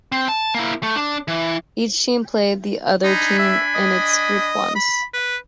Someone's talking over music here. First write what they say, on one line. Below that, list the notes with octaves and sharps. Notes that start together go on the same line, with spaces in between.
Each team played the other teams in its group once.
C4
A5
A#3 E4
A3
D4
E3
D4 D#4 G#5 B5
E5
D#5
B5
B4